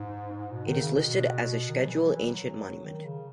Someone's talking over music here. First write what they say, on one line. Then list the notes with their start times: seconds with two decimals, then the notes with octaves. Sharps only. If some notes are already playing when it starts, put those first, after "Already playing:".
It is listed as a Scheduled Ancient Monument.
Already playing: G#2
0.51 B2
0.66 D#3
0.81 C#3
0.95 B2
1.69 D#3
1.78 F#3
1.87 E3
1.99 F#3
2.07 E3
2.26 F#3
2.85 D#3
3.05 C#3